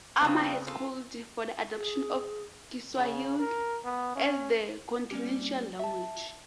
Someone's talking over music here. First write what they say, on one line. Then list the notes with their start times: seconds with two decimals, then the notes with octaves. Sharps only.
Armah has called for the adoption of Kiswahili as the continental language.
0.21 C#3 G3 B3 C4 F4
0.67 F4 A4 A#4
1.76 G#4
2.97 C#3
3.39 A#4
3.84 B3
4.15 C#4
5.11 G3 A#3 C#4 G4
5.79 E5 A5